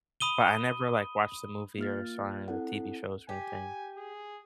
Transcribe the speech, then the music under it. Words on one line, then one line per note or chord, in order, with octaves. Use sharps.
but I never, like, watched the movie or saw any of the TV shows or anything.
B5 D#6 D#7 G7
A#3 F4 F6 A6
C4 E4 A4 F#5
G4 G#5
G#4